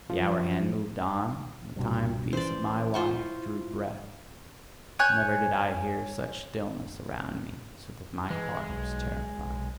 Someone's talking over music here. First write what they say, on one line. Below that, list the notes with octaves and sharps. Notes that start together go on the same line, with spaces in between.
The hour-hand moved on, the timepiece of my life drew breath--never did I hear such stillness around me, so that my heart was terrified.
F3
C2 G2 B2
E3 C#4 C5 D5
F4 C5 C#6
E4
C#5 G#5 F#6 G6
E3 G#3
B1
B1